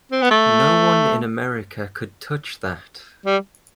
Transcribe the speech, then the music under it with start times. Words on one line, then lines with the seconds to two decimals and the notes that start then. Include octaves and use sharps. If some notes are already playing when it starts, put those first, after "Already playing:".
No one in America could touch that.
0.12 C4
0.22 B3
0.31 A3
3.26 G3